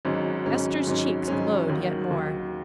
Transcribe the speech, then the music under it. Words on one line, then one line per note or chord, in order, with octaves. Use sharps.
Ester's cheeks glowed yet more.
G#1 G#2 F#3 C#4
G#1 G#2 F#3 C#4
G#1 G#2 F#3 C#4
G#1 G#2 F#3 C#4
D#2 D#3 F#3
D#2 D#3 F#3